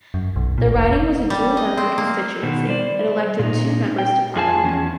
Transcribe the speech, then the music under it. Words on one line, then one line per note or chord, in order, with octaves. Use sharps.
The riding was a dual-member constituency-it elected two members to Parliament.
F#2
B1
A#2
F1
G3
D#5
C4
A#3
B2 D#3
G3 C5 D5
A#2 D#4
G5
F2 F4 G#4 F5 G#5 A5
E2 C#4